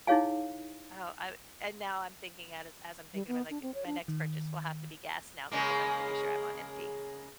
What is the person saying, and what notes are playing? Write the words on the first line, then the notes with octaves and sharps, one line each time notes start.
Oh, I and now I'm thinking that is as I'm thinking about, like, my next purchase will have to be gas now because I'm pretty sure I'm on empty.
D#4 E4 G#4 C#5 F5 G#5
G3
B3
D4
C4
C#5
D4
D#3
C#3 G#3 A#3